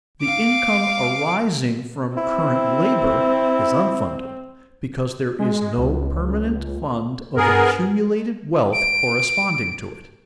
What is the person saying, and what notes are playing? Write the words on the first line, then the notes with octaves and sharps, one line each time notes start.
The income arising from current labor is unfunded, because there is no permanent fund of accumulated wealth corresponding to it.
F5 D6
C4 E4
G#3
C#2
G2 B3 G#4 A#4
D7